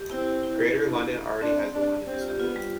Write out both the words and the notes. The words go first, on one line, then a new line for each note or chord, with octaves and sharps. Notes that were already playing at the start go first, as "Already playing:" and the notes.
Greater London already has the London Assembly.
Already playing: G4
C4 E4
E4
D4
C4 D4
D4
C4
G4
F4
G4
B3 F4
G3